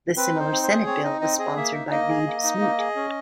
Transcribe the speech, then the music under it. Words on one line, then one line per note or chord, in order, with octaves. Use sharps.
The similar Senate bill was sponsored by Reed Smoot.
C4 B4
D#4
C5
C4
C5
G#4
C4 C#5
D#4 D#5
C4 D#5
G#4 D#5
A#3 E5
D#4
A#3 D#5
G#4
A#3
D#4
A#3
G#4
C#4